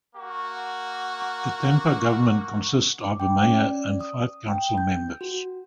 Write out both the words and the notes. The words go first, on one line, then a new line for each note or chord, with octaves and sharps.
The Tampa government consists of a mayor and five council members.
A#3 F#4
D6
G5
C#4
D5
D#6
G5
G6
F#4